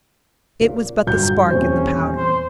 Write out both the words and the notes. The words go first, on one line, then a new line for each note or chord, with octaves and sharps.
It was but the spark in the powder.
A#2
G2 A#2 D3 F#3 G6
D#1 E2 C4 C#4 C5
C5